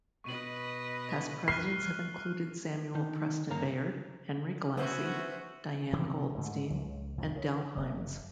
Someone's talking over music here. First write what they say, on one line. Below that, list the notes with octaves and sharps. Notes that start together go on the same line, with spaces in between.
Past presidents have included Samuel Preston Bayard, Henry Glassie, Diane Goldstein, and Dell Hymes.
B2 B4 D#5 C#6 D#7 F#7
F6 F#6 C7 D#7
D#3 D#4
G2 A#3 C#4 A#5
B3 C#4 F#4 C5 E5
C3 E3 C4
G#2 D3 A3
C#2
C2 F2 G#2
C#3
F#1